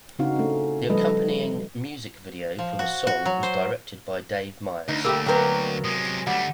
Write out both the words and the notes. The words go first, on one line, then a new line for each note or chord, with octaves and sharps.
The accompanying music video for the song was directed by Dave Meyers.
C#3 C4 D4 D#4 F#4 F5
A3 C#4
F3 G3 A3 A4 B4 D#5
F3
F#4
F#4
F#3
C5
D2 D#4
G3 A3 A#3 G4 E6
F#3 A#3 B3 A#4 G5 G6
C3 G#3 D#6
D2 G3 A3 F#5